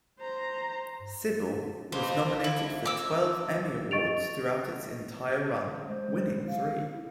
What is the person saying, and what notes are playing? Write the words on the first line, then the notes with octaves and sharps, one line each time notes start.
"Cybill" was nominated for twelve Emmy Awards throughout its entire run, winning three.
C5 A#5
F2 C5
E4
D6 E6
D#5 C#6 A6 D7 F7
G#3 C5
F5
E4